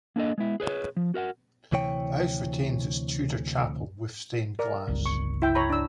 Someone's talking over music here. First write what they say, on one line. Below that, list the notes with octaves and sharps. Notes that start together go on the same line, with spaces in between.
The house retains its Tudor chapel, with stained glass.
A#3 D4 A4 D#5
G#3 B3 E4
G#4 B4 C#5
F3
F#4 A#4 E5 F#5
D2 C3 E3 C#5 G5
A#4 D5
G1 C#2
C#6
E4 E5 G5
C#5 A#5 B5
D4 E6